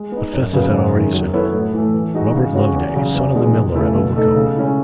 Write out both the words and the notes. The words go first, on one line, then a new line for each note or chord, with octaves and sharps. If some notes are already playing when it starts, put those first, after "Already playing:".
But Festus had already said, 'Robert Loveday, son of the miller at Overcombe.
Already playing: G#3
B3 D#4
F#2
C#3 F#3 B3
F#2
D#3 G#3
F#3
B3 E4 A4 C#5
A2
E3 A3
E3
G#3 D#4 F#4
C#3
G#3 C#4 F#4 C#5
E2
C#3 F#3
E2
B2 G#3 D#4 G#4
C#2
C#3 E3 A3 E4
B2
A3 D#4 A4
C#3
G#3 C#4 E4